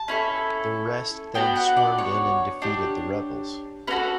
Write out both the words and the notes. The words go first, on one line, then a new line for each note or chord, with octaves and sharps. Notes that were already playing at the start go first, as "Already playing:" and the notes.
The rest then swarmed in and defeated the rebels.
Already playing: A5
C#4 E4 A4
B3 D4 F#4 G5
F#5
D5
C#5
D4 G4
C#4 F#4 A4 B4